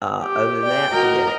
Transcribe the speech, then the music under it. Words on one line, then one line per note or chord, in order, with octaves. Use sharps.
Uh, other than that, forget it.
G4
D5 G5
F#4 A#4 D#5